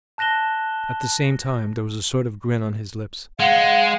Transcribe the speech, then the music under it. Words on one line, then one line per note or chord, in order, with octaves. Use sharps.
At the same time there was a sort of grin on his lips.
A5 F#6 A#6 E7 G7
G#3 F5 F#5